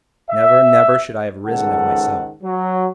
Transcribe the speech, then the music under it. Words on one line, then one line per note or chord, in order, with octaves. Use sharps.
Never, never should I have risen of myself!
E5
C#2 G#2 D#3 A4 F#5
F#3